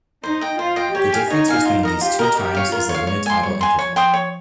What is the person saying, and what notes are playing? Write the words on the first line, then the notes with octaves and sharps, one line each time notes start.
The difference between these two times is the lunitidal interval.
D#4 C5
D#5 G5
F4 C5
D#5 G5
G4 C#5
F5 G#5
D#4 C#5
F5 G#5
F4
A#4 D#5 A#5
F4 G4
A#4 D#5 A#5
G4 A#4
C#5 F5
F4 A#4
C#5
F5
G#3 C#5
G#5 C6
G3 C#5
G#5 C6
F3 C#5
G5 C6 D#6
C#5